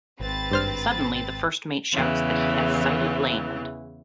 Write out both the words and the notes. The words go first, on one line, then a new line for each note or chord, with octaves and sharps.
Suddenly the First Mate shouts that he has sighted land.
G#1 C4 B4 A6
G2 C5 F6
E2 C#3 E3